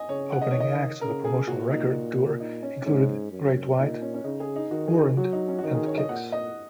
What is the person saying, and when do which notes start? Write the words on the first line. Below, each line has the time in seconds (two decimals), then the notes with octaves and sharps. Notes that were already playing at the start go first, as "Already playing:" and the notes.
Opening acts on the promotional record tour included Great White, Warrant and Kix.
Already playing: D#5 G#5
0.09 C#3 C#5
0.32 F#5
0.42 D#5
0.51 D#3 C#5
0.60 D#5
1.01 C#3 A#4
1.25 G#4
1.47 A#2 F#4
1.71 D#4
2.40 D#4
2.63 C#4
2.86 G#2 C#4
3.32 F#2
3.78 A#2 D#4
4.02 C#4
4.14 C#4
4.24 C#3 D#4
4.40 G#4
4.56 D#4
4.71 D#3 F#4
4.88 G#4
4.94 F#4
5.17 F#3 F#4
5.33 D#4
5.48 C#4
5.59 F#4
5.63 D#3 D#4
5.75 G#4
5.86 C#5
5.98 D#5
6.09 A#2 F#5
6.32 D#5